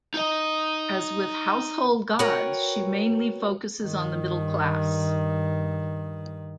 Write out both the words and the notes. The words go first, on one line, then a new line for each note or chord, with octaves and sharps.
As with "Household Gods" she mainly focuses on the middle class.
D#4 D#5
F#4 A#4 B4 C#5 G5
G2 D#3